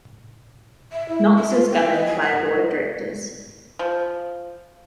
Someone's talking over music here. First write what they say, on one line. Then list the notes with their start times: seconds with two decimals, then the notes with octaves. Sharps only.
Knox is governed by a Board of Directors.
0.93 E5
1.09 E4
1.37 E5
1.50 F4
1.72 G5
1.93 D#5
2.06 G#5
2.22 F#5
3.79 F3